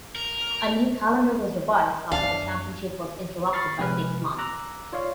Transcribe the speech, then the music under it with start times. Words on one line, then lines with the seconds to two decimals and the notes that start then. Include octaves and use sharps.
A new calendar was revised after the championship was interrupted by six months.
0.16 A#4
2.12 F#2 D4 F5 A5
3.53 B5 C#6 F6 A6 C7
3.79 C3 F3 G#3 B4 G#5 F6
4.38 A#5 D6 E6 F#6 A#6
4.93 F4 C#5 D5 F5